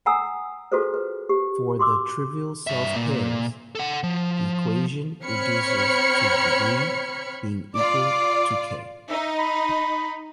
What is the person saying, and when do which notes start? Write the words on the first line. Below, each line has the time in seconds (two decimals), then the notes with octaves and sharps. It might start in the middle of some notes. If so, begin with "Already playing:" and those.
For the trivial self-pairs, the equation reduces to the degree being equal to "k".
0.06 F#5 G#5 A#5 D#6 E6
0.72 F4 F#4 G#4 A4 B4 C5
0.94 B4
1.29 G4
1.79 F#4 C6 D6 E6
2.67 G2 E5
2.96 A#2
3.75 A4 F#5
4.03 F3
5.25 C4 C#5 B5 F6 G#6 C#7
7.75 F4 D5 D6
9.09 D#4 E5
9.39 B5